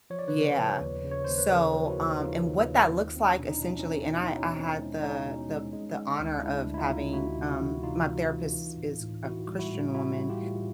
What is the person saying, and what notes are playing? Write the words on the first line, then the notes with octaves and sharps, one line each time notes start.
Yeah. So, um, and what that looks like essentially and I I had the the the honor of having, um my therapist is a Christian woman,
F3 C#5
D5
B4 C#5
C#3
F3
D#2
C#3
C#5
D#2 C5
B4
C#3 G#4 A#4
F3
E4 F#4
D#2
F3 D#4 F4
D#2
D#2
C4
C4
C#4
B2 D4
D#4
B2 D4 E4
C#4 D#4
C4
B2
D#4
E4
B2 C#4 D#4
C4
G#3
G#3 C#4 D#4
B2
G#3
G#3
G#3
D2
G#3 D4 E4
D2
E4
D#4 F4
D2
D2 E4 F#4
C3
E4 F#4
E3
C3 D#4 F4
E3
E3
E3
A2
A2
E3 E4 F#4
G3
E4 F#4
A2
A2 E4 F#4
G3
F4 G4
A2